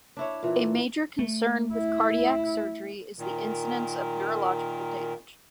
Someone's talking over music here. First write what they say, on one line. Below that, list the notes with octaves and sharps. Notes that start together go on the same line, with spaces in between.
A major concern with cardiac surgery is the incidence of neurological damage.
D4 E4 C#5
A#2 E3
A3
E4
A#2 D#3